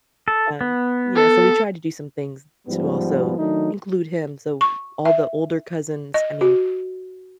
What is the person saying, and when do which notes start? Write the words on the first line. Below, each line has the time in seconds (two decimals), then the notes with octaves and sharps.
um, yeah, so we tried to do some things to also include him, so all the older cousins I mean,
0.28 A4
0.61 B3
1.16 A4
2.68 G#2 F3 G3 B3
3.38 D#3 F#3 A3 D4 D#4
4.61 C#6
5.05 E5
6.14 D#5
6.41 F#4